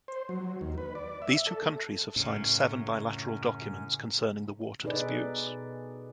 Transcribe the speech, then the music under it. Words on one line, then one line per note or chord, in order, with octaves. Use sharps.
These two countries have signed seven bilateral documents concerning the water disputes.
C5
F#3
D#2
B4
D5
E5
A4
F#2 A2 C#3 C#4 D4
B2 D#4 G#4 A4 B4 D5